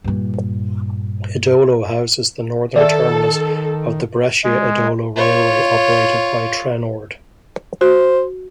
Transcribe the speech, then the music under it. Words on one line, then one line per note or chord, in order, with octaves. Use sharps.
Edolo houses the northern terminus of the Brescia-Edolo railway operated by Trenord.
G2 A#2
D#3 A4 D5 E5
G#3
F4 C#5
F#4 C5